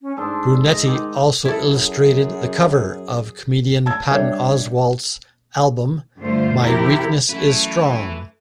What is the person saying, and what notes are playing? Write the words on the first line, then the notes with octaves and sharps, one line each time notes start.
Brunetti also illustrated the cover of comedian Patton Oswalt's album, "My Weakness Is Strong".
C#4
G#2 D4 A4 C6
D#5
D#3 D#4 D6
F#2 E4 G#4 A4
A5 E6 G#6
G3 D4 C#5 E5
G2 D3 A3 F4 C5
F2 C3 E4 G4 A4 A#4
F#2 A3 E4 B4